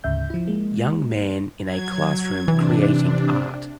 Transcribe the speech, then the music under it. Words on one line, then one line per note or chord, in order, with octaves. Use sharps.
Young man in an classroom creating Art.
D2 G#2 C#3 E5 G6
F3 E4
G#3 A#3
F#3 G#6
C3 E3 D4